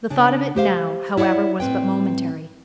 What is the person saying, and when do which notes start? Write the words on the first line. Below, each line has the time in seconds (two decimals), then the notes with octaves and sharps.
The thought of it now, however, was but momentary.
0.10 C#3 D4
0.56 G4 C5 F5
1.17 E4 C#5 D5 F5 F#5
1.60 A2 C4 B4 G5